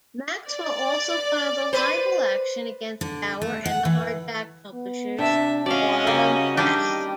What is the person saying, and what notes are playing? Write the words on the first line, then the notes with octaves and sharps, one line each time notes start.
Maxwell also filed a libel action against Bower and the hardback publishers, Aurum Press.
D5
B4 C5
D3
A3
F#5
E3
B3
C3 D4 E5 A5
C#4 F#4 D5 D#5 F5
C#3 G3 A#3
G3 D4 D#4 G4